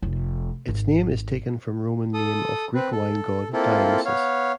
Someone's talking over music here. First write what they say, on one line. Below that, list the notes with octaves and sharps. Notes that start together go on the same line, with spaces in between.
Its name is taken from Roman name of the Greek wine god Dionysus.
F1
G#1
A4 D#6
C4 B4
A4
A#3 C4 E4 F4 A4
B3 C#5 F5